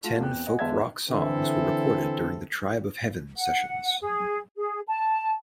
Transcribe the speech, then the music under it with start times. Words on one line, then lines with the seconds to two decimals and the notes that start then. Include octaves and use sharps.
Ten folk rock songs were recorded during the Tribe of Heaven sessions.
0.04 A3 F4 F#4 A4
0.21 E2 C4 G5 F#6
0.46 D#5 F#5 G#5
0.59 G1 E2 G#3 E5 A5 G#6
1.09 D3 E3 C4 E4 A4
3.37 F#5
4.02 G#4
4.57 G#4
4.87 A5